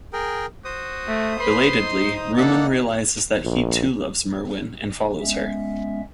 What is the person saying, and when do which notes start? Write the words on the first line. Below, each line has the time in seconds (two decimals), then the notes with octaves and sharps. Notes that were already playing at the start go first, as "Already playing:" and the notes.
Belatedly, Rumon realises that he too loves Merewyn, and follows her.
0.13 G#4 A#4 G5
0.65 F#4 C5 D#6
1.07 A3
1.40 B4 C6
1.80 D#4
2.37 A#3 D4 A4 F#5
3.44 A#1
5.20 G#3 B3 C#4 E5